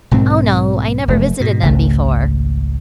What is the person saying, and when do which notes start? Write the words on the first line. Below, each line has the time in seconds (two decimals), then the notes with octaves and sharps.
"Oh, no. I never visited them before."
0.11 B1 G#2 D#3 C4
1.08 F1 F#2 A3
1.40 G#2 B2
1.62 G#1 C#2 C#3 A3